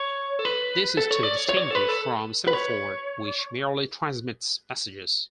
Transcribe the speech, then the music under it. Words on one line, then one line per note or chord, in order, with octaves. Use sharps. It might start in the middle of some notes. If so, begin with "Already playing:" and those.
This is to be distinguished from "semaphore", which merely transmits messages.
Already playing: C#5
A4
B4
A4
C#5
D5
C#5
C#5
D5
C#5
A4
B4
A4
B4
C#5